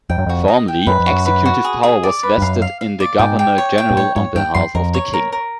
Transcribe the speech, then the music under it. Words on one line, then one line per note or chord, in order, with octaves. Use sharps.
Formally, executive power was vested in the Governor-General on behalf of the King.
F2 G5
F#2
F2 F#4
D#5
G5
F#2 B4
F2
F#4
F#2
B4
F#4
G#4
G#4
D5
B4
G2
F#2 F5
F5
F5
D5
G#2 G5
G5
C#5
G5
A#2
A2 C#5
G#2 C#5
G2 G5
F#2 C6
F2 A#4
C#5
A#4
A#4